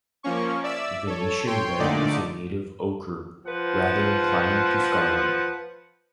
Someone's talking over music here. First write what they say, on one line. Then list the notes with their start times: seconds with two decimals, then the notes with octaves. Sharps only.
Venetian-red is a native ocher, rather inclining to scarlet.
0.23 F3 A#3 C#4 C#6
0.63 D5 E5 E6
1.07 A4 C#5
1.47 C#5 G5 C6
1.79 A#2 D3 A3 D#4 D5 D6
3.47 F3 B4 F#5